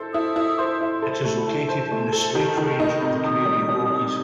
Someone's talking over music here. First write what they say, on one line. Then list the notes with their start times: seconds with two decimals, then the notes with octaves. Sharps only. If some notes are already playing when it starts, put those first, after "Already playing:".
It is located in the Slate Range of the Canadian Rockies.
Already playing: E4 A4 C5
0.14 E4 D#6
0.36 E4
0.58 C5 C6
0.81 E4
1.02 A4 B5 C6
1.24 A3
1.47 E4 A5
1.69 C5
1.91 A3
2.12 A4
2.35 D#3 A5
2.57 D#3
2.80 D#4 B5
3.02 C3
3.24 C3 D#6
3.45 G3
3.68 G3
3.90 G3